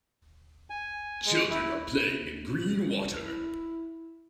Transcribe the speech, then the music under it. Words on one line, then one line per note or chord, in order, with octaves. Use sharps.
Children are playing in green water.
G#5
G#3
E4
E4